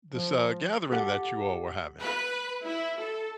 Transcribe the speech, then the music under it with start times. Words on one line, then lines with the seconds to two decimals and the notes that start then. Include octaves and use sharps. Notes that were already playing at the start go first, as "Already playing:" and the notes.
this, uh, gathering that you all were having.
0.11 F3
0.92 G4 A4 F#5
2.00 B4
2.64 E4
2.98 A4